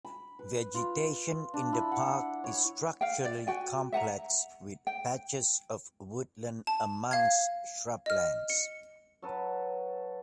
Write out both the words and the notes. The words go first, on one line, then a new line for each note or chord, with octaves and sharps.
Vegetation in the park is structurally complex, with patches of woodland amongst shrublands.
B5
B4
F4
D4
E4
F#5
C#5
F5 G5
D5
F#4 G5 G#5
E5 F#5 G#5 A#5
G5
A5
F5 G#6
D#5 F6
C#7
F#3 A4 B4